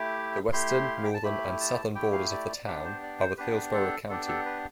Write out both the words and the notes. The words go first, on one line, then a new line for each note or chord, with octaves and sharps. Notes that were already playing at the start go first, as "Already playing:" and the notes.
The western, northern, and southern borders of the town are with Hillsborough County.
Already playing: A3 E4 G4 D6
A3 E4 G4 C6
F5
G5
A5
A3 E4 G4 B5
A5
A3 E4 G4 G5
F5
D5
D5
B3 D4 G4 B4
C5
D5
C5
B3 D4 G4 B4
A4
B3 D4 G4 A4
A4
B4